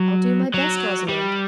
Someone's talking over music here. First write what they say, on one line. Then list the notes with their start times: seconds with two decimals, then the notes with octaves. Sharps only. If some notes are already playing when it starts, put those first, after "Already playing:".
'I'll do my best, Rosamond.
Already playing: F#3
0.54 F#3
1.09 G3